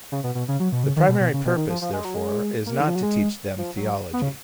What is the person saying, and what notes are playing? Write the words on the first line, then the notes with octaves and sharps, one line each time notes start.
The primary purpose, therefore, is not to teach them theology.
C#3
B2
B2
C#3
F#3
B2
C#3
D#3
B2
B2
C#3
B2
D#3
F3
F3
G#3
F#3
G#3
A#3
D#3
F3
F#3
G#3
F3
F#3
B3
C#3